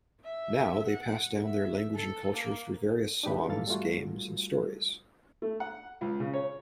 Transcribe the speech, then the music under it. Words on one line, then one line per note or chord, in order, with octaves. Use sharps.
Now, they pass down their language and culture through various songs, games, and stories.
E5
F#5
E5
A4
A#3
D4 D#4 G4 B4 B5
G#2 E3 A#3 A4 F5 A6
G3 A3 F4 F#4
A3
F#5
C#2
C#3
C#5